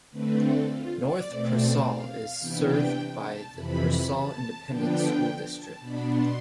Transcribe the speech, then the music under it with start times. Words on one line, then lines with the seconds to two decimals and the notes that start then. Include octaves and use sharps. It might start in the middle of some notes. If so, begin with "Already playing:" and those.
North Pearsall is served by the Pearsall Independent School District.
0.11 D3 A3 C4 B4
0.39 A4
0.68 F4
0.97 D5
1.26 B2 A3 C4
1.53 D5
1.82 F5
2.11 F5
2.39 C3 E3 B3 D4 G5
3.25 A5
3.53 F2 C3 E3 B5
4.10 A5
4.66 D3 F3 B3 D4 G5
5.52 A5
5.80 B2 B3 D4 B5
6.08 C6